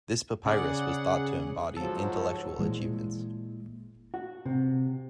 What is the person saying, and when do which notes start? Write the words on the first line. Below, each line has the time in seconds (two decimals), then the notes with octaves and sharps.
This papyrus was thought to embody intellectual achievements.
0.46 C#3 G#4 D5 F#5
1.77 G#2 F3 F#3 A4
2.59 A#2 E3 G#3
4.14 F#4
4.46 C3